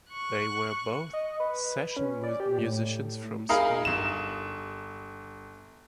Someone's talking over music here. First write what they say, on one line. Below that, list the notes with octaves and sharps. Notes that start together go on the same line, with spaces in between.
They were both session-musicians from Sweden.
C#6 F#6
D#5
B4
C#4
D5
G4
A2
D#4 G#4 A#4 F5 B5
G1 E7